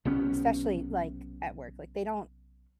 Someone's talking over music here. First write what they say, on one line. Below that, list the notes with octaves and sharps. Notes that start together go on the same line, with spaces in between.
especially, like, at work, like, they don't
B1 C3 B3 C#4